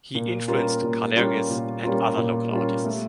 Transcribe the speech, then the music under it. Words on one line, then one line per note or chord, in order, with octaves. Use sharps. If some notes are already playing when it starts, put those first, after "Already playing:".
He influenced Kalergis and other local artists.
A#2
G3 A#3 C#4 F4
A#2
G3 A#3 C#4 F4
A#2
G3 A#3 C#4 F4
A#2
G3 A#3 C#4 F4
A3